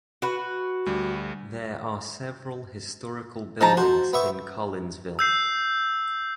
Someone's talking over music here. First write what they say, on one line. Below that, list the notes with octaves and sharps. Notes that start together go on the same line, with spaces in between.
There are several historical buildings in Collinsville.
F#4 B4
D2 G3
F3 D#4 A5 A#5
F#4 C5
B3 E5 C#6
E6 G6 C7